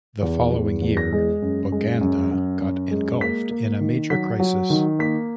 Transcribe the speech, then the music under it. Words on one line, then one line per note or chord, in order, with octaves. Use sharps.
The following year Buganda got engulfed in a major crisis.
E2
E2
E2
A#6
G#3
F#2
G#3
F#2
F#2
F#2
G#3
A#3 B6
A#3
D#3
F#3 B6
F#3
D#3
A#3 B6